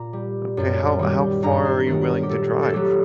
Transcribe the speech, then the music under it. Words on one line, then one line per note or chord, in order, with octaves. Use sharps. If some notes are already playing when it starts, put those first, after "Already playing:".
Okay. How how far are you willing to drive?
Already playing: A#2 A#5
G3
F#2
D#3 G3
G2 A#5
C5
D#3 F#3 A3 A#4
A#4
G4
A#2 A4
A4
F#3 A3 G4